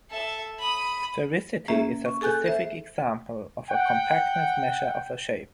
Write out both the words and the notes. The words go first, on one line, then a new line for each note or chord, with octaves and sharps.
Sphericity is a specific example of a compactness measure of a shape.
A4 E5
B5 D#6
A#3 C#4 G#4 E5
C#6
G#4 A4 G#5 F#6 G6
A4 C5 E5
F#5 G5